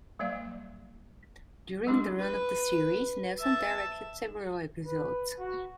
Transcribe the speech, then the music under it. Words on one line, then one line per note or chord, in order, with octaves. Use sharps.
During the run of the series, Nelson directed several episodes.
F#3 G3 A#3 D5 F5
F#3 G#3 C#4 D4 E4 G4
B4
E5 A5
B4
F#4